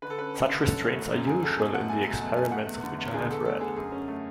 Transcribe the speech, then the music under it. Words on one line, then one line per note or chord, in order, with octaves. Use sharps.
Such restraints are usual in the experiments of which I have read.
D3 B4
A4
C#4 B4
C#4
D3
C#4 A4
F#2
A3
F#2
F#3 G#4
F#3 A4
B2 G#4
A3 F#5
A3 G#5
F#3 G#5
B2 A5
C#2 G#5
A3 F#5
E2
D3
E2
D3 G#4
E2 A4
A3 A4
D3 G#4
F#2 G#4
C#4
A3